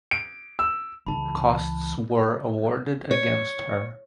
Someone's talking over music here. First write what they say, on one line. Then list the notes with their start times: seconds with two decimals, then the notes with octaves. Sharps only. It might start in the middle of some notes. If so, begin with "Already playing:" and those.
Costs were awarded against her.
0.11 D7
0.59 E6
1.07 C#2 E3 A5 B5
3.11 C#5